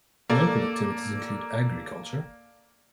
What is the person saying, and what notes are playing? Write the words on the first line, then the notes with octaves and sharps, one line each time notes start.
Local activities include agriculture.
A#3 A4 D5